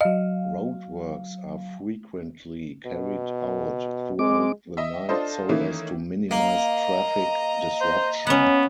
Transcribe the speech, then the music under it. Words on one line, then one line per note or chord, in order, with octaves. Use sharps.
Roadworks are frequently carried out throughout the night so as to minimize traffic disruption.
F#3 D#5 F5
B2
G#3 C4 D6
D#5 E5
D4 F4 A4 C5 D#5
D#3 E3 A3 A#3 C#4 D#4
A#3 D#5 A#5
C5
B3 C#4 F#5